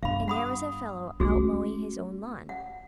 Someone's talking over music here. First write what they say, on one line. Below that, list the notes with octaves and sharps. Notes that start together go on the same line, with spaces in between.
And there was a fellow out mowing his own lawn.
G1 F5 B5
F#5 B5 D#6
A3 C#4 F#4 G#4
F#5